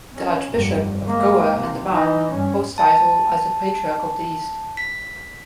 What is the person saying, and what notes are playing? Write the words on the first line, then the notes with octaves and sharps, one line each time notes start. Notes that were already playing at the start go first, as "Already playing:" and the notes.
The Archbishop of Goa and Daman holds title as the Patriarch of the East.
C#4
F1 G2
G#3 A#3
C3
E3 D#4
G2 C#4
A5
B6